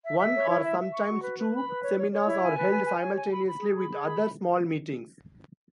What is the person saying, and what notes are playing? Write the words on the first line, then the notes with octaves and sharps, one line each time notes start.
One or sometimes two seminars are held simultaneously with other small meetings.
E5
E5
C#5
E4
E5
E5
C#6
F#4
B4
B4
B5
B4
C#5
C#5
C#5
E4
G#5
B4
G#5
G#5
C#5
G#5
B5
B5
G#4
B5
G#4
B5